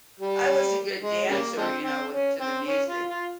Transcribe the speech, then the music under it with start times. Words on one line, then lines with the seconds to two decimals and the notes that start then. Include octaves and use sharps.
I was a good dancer, you know, with to the music.
0.19 G3
1.01 G#3
1.30 C#3 G3 A#3
1.57 F3 G#3 C4
1.84 C4
2.12 C#4
2.40 C4
2.67 C#4
2.88 F4
3.09 F4